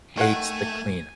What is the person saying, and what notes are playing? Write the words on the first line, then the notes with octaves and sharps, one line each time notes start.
hates the cleanup.
D#3 A3 F#5 G#5